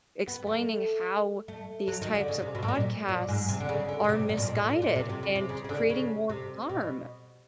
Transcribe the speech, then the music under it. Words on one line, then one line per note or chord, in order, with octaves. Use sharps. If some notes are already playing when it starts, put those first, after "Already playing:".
explaining how these types of podcasts are misguided and creating more harm.
B3
A3
A3
F#3
D#3
D3
C#3
C3
B2
A2
A#2
A#2
G#2
C3
D3
C#3
D3
C#3
C3
A#2
B2
A#2
A2
A#2
A#2
C3
C3
C#3
C3
C#3
C#3
D3
C#3
C3
B2